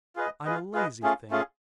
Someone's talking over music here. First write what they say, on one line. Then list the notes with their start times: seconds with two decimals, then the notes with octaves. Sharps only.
I'm a lazy thing.
0.16 F4 G#4 B4 D#5
0.45 F4 G#4 B4 D#5
0.74 F4 G#4 B4 D#5
1.03 A3 C#4 F4 G#4
1.31 A3 C#4 F4 G#4